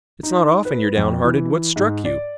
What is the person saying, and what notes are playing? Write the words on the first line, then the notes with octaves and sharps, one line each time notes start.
"It's not often you're downhearted. What's struck you?"
D#4
B4
F2
E3
G#2
D5